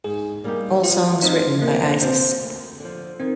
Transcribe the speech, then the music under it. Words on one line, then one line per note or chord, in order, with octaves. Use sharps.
All songs written by Isis.
G#2 G#4
G3 A#3 D#4 G4
F3 F4
C4 D#4 F4 C5 D#5
C3 A#3
F3 C4 F4
D2
D3 F3
D#3 C4